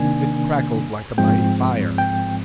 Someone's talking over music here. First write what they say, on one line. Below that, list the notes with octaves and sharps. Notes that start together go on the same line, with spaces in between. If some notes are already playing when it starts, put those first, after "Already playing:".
It crackled like a mighty fire.
Already playing: C3 D#3 A#3 D4 G#5
G#2 F3 G#3 C4 G5
G5